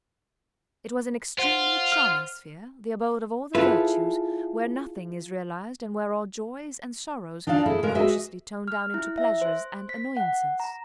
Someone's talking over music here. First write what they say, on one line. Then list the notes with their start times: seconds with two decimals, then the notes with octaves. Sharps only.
It was an extremely charming sphere, the abode of all the virtues, where nothing is realized and where all joys and sorrows are cautiously toned down into pleasures and annoyances.
1.38 F4 C5 F#5
1.92 F6
3.55 E4 F4 G#4 A4 B4
7.47 D4 D#4 F4 D5 F5 A5
7.66 E4 G#4 A4
7.83 G#3 A#4 F5
7.95 F#4 G#4 B4 D#5 E5
8.68 F6
8.94 E4
9.18 E5
9.42 C5
9.89 B6
10.17 F#5
10.60 A#5